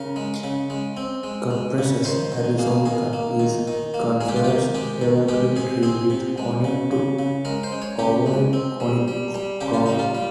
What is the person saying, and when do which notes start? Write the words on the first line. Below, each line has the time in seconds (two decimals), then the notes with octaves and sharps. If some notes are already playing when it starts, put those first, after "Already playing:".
"Cupressus arizonica" is a coniferous evergreen tree with a conic to ovoid-conic crown.
Already playing: C#3 A#4
0.16 G#3
0.44 C#3
0.70 G#3
0.97 C4
1.23 G#3
1.51 G#3
1.78 C#3
2.05 D#3 C5
2.32 D#3
2.58 A#3 G#4
2.86 D#3 G#4
3.13 A#3
3.40 D#3
3.68 D#3
3.94 A#3
4.21 G#3 G#4
4.29 G4
4.36 F4
4.44 D#3 G4
4.75 G#3 G4
5.01 D#3
5.28 G#3 G4
5.56 C3 G#4
5.83 C4 G#4
6.10 C3
6.38 G#3
6.64 C#3
6.91 C#3
7.19 C#3
7.45 G#3 A#4
7.63 C5
7.72 G#3
7.82 C#5
7.99 C#3 G4
8.26 G#3
8.53 C4
8.80 G3
9.08 G3
9.34 G3
9.61 C#3 G4
9.74 F4
9.86 G3 D#4
9.99 F4
10.15 G3